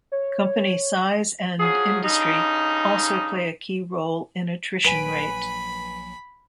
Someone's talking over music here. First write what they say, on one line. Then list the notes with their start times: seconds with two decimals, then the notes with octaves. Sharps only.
Company size and industry also play a key role in attrition rate.
0.12 C#5
1.60 F3 F#3 G#4
2.04 G2 C#3 D#4
4.85 A#1 F#3 B4 G#5 B5 D7